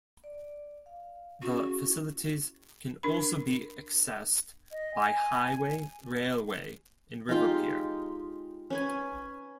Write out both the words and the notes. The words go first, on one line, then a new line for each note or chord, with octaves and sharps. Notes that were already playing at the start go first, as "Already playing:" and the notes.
The facilities can also be accessed by highway, railway and river pier.
D5
F5
C#4 E4 F#4 G#4
E4
D4 A#4 B5
D#5
G#5
G#3 D#4 F4 G4
C#4 B4 G#5